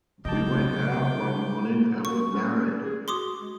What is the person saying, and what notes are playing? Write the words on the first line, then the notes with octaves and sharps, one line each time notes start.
We went out one morning and were married.
C#3 F#3 D#5 G5 A5 D6
A#3 C#6
C#4
G#4
F#4 C6 D6 D#6
G#3